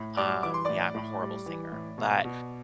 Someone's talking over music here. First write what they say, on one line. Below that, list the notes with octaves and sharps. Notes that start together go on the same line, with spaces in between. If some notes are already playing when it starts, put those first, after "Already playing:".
um, yeah I'm a horrible singer. But
Already playing: A2
G3 D5 D6
E3 D6
C6
A2 D5 D6
A2
G3
E3
A2
B2
B2